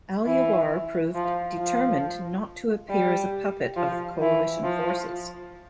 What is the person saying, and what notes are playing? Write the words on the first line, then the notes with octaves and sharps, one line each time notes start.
Al-Yawar proved determined not to appear as a puppet of the Coalition forces.
E3
F3
F3
G3
F3
E3
F3